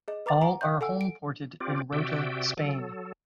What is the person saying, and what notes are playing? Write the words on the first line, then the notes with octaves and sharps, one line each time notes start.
All are homeported in Rota, Spain.
G#4 D#5
B4 A#5 D6 A6
F#5 G#5 A#5
F5 F#6 G6
A4 F#5 G#5 E6
D7
C4 F4 G4 D5
C3 F#4 D5 E5 G5
F#3 A4